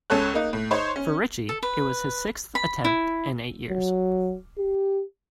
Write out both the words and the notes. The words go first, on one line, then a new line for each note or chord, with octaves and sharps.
For Richie, it was his sixth attempt in eight years.
C#2 C#4 A4 C#5 F#6
A#3 D#4
A2
D#4 C5 C#5
C#4
A4
B4
B5
E4
F#3
G4